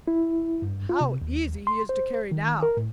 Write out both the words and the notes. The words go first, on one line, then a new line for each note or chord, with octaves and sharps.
'How easy he is to carry now!
E4
G2
F4
C3
D#2
C6
C5
D#3
A#4
A2